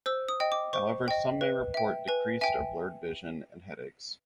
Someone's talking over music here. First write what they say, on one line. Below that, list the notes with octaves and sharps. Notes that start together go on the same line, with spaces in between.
However, some may report decreased or blurred vision, and headaches.
C5 E6
D#6
D#5 G5
D6
C5 C#6
D#5 G5
B4
E5 G5
B4 G#5
E5 G5 G#5